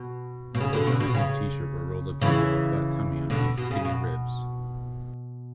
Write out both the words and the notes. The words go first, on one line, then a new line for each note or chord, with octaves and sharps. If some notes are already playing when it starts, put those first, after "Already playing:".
The pajamas and T-shirt were rolled up to reveal a flat tummy underneath skinny ribs.
Already playing: B2
B2
C#3
B2 D3
B2
B2
C#3
C#3 E3
B2 D3
B2
C#3
B2